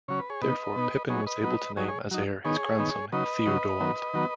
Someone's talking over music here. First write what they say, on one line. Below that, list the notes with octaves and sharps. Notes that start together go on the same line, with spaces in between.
Therefore, Pepin was able to name as heir his grandson Theudoald.
C#3 F#3 C#4 C#5
B4
G#4 C#5
B2 B3 D#4 B4 D#5
B2 B3 D#4
F#3 B3 D#4 G#4 C#5
B4 D#5
F#3 B3 D#4
F#3 D#4 G#4 C#5
G#4 C#5
F#3 D#4
D#3 B3 D#4 G#4 C#5
D#3 B3 D#4
C#3 F#3 D#4 B4 D#5
C#3 F#3 D#4
D#3 F#3 B3
D#3 F#3 B3